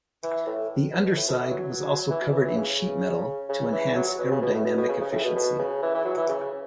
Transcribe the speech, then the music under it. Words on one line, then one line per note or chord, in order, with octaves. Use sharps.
The underside was also covered in sheet metal to enhance aerodynamic efficiency.
E3
A2
B2
A2
B2
E3
F#3
E3
B2
E3
F#3
E3
C#3
C#3
E3
F#3
F#3
B2
C#3
B2
A2
B2
B2
C#3
C#3
A2
B2
B2
C#3
E3
E3
F#3
E3
C#3